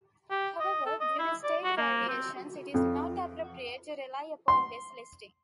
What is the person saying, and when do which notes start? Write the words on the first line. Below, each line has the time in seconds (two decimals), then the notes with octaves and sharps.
However, due to state variations it is not appropriate to rely upon this listing.
0.30 G4
0.60 D#5
0.86 A4
1.01 D#5
1.19 E4
1.43 D5
1.64 F#4
1.77 A#3
2.08 C4
2.74 F2
4.48 C6